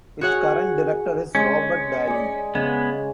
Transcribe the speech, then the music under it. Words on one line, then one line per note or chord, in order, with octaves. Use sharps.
Its current director is Robert Daly.
F#4 G#4 C#5 F#5 G#5
G#3 C#4
G#4 D5
C#3 G#3 B3